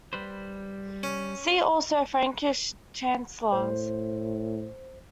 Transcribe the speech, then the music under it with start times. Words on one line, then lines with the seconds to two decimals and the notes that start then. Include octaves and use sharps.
See also Frankish Chancellors.
0.13 G3 B4 C5
1.03 C#4
3.52 A2 C5